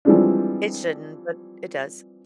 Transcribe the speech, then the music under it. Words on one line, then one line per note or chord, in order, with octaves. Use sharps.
It shouldn't, but it does.
E3 F3 G3 G#3 C4 D4